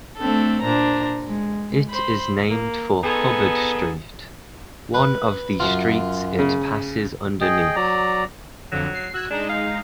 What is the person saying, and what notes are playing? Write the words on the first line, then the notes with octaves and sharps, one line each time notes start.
It is named for Hubbard Street, one of the streets it passes underneath.
A3 C4 D4 A4
A#2 D4 C5 A#5
G#3
C5 B5 C6
A#3
B3 D#4 G#4 A4
B4
F#2 F4
C#3
G#4 D#5 G5
F#3 D5 A#5
F2 D3 F#3
C7
F#4 E6 F#6 G#6
G#3 D4 D#4
F5